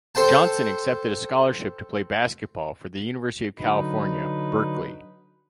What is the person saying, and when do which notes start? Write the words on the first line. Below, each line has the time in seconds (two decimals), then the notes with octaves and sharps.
Johnson accepted a scholarship to play basketball for the University of California, Berkeley.
0.15 A4 C5 G5 A5
3.59 D3 F#3 D#4 B4